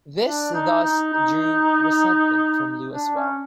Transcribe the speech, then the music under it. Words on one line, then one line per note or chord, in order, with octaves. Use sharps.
This thus drew resentment from Lu as well.
D4
D#4
D#4
D#4
D4
C#4